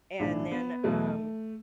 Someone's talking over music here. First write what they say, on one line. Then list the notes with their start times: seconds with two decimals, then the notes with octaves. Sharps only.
and then, um,
0.19 B1 A2 E3 D4
0.51 B3
0.84 E2 B2 F#3 A3